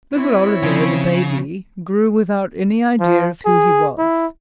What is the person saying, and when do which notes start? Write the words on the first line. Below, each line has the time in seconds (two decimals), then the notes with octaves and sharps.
Little Oliver, the baby, grew without any idea of who he was.
0.14 C4 E4 C#5
0.63 C#3 F3
3.00 F3
3.45 G#4
3.98 E4